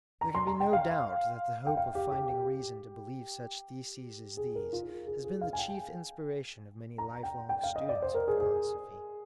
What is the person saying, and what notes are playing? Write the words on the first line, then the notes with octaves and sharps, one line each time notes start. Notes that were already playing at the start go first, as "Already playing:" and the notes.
There can be no doubt that the hope of finding reason to believe such theses as these has been the chief inspiration of many life-long students of philosophy.
A#5
C6
A#5
G5
F5
G5
F5
G4
G4
G4
G#4
A#4
F4
G#4
G#4
F5
G#5
G5
A#5
G5
G5
F5
D#5
D5
C5
A#4
G#4
G#4